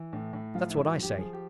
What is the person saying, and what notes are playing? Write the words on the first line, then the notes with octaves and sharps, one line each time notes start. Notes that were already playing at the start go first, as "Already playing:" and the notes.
'That's what I say.
Already playing: E3
A2
A2
F3 F4
E4
G#2
F#4
F3
G4
F3 G#4
G4